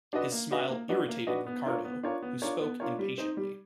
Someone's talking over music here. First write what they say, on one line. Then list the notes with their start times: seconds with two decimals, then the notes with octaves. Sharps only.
His smile irritated Ricardo, who spoke impatiently.
0.13 D4 F#4 B4 D#5
0.32 A#3
0.51 D4 F#4 B4 D#5
0.70 A#3
0.89 D4 F#4 B4 D#5
1.08 A#3
1.27 D4 F#4 B4 D#5
1.47 B3
1.66 D4 F4 A#4 C#5
1.85 B3
2.03 D4 F4 A#4 C#5
2.22 B3
2.42 D4 F4 A#4 C#5
2.61 B3
2.80 D4 F4 A#4 C#5
2.99 G3
3.18 C4 D#4
3.37 G3